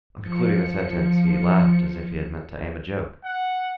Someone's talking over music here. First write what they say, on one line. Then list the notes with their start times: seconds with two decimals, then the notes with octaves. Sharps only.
On concluding the sentence he laughed as if he had meant to aim a joke.
0.23 F3 C#7
3.24 F#5